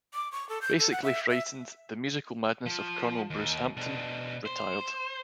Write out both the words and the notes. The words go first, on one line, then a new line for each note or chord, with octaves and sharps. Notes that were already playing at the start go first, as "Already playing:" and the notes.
Basically Frightened: The Musical Madness of Colonel Bruce Hampton, Ret.
D6
C#6
A4
G6
A4
F#5
E5
E5
F3
D#2
B2 D4
C5